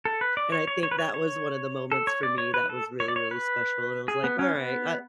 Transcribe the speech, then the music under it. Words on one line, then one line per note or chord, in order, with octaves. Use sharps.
and I think that was one of the moments for me that was really, really special, and I was like, "Alright, I
A4
B4
D5
C#5
C#5
C#5
B4
C#5
C#5
A4
C#5
D5
C#5
B4
A4
C#5
D5
C#5
B4
G#4
B3
C#4
B3